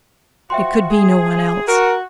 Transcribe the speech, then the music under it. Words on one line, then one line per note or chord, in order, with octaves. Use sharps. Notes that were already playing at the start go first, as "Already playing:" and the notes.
It could be no one else.
F3 F4 F#4 E5 G5 C6
G#4
F#4 A#4